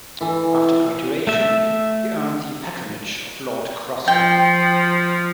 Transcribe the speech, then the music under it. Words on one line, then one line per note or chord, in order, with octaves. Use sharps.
After graduation, he earned the patronage of Lord Grosvenor.
E3 A4
A3 E5
F3 G5